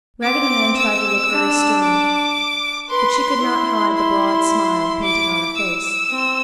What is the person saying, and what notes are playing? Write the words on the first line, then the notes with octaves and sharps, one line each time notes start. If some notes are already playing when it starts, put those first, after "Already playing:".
Raggedy Ann tried to look very stern, but she could not hide the broad smile painted on her face.
C4 D6
E6
D4
D6
B4 C6
E4
C6
D6
E6
C4